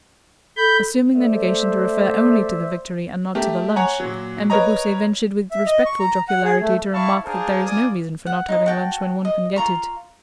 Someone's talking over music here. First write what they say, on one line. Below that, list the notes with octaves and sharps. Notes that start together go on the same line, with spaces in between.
Assuming the negation to refer only to the victory and not to the lunch, M. de Beausset ventured with respectful jocularity to remark that there is no reason for not having lunch when one can get it.
A4 B5 G6
A3 C5 D5 E5
A3 G4 A#4
C#5 F#5 G#5 A#5
A#2 F#3
A#4 B4 C#5 D#5 A#5
E5
D#5
C#6
A#5
F#5
G#4
A3
D4 E4 F5 A5 B5 C#6
D4 G#4 A#4 C5 F5 A5
A#3 F4 D5 G#5 D#6
F#5
D#4 F4 D#5
F#4 G5 A5
D#5
F4 A#5 C#6